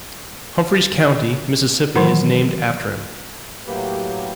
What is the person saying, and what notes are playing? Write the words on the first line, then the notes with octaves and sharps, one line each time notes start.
Humphreys County, Mississippi, is named after him.
D#3 E3 F#3 F#4 C5 F#5
A2 F#3 A#3 G4 B4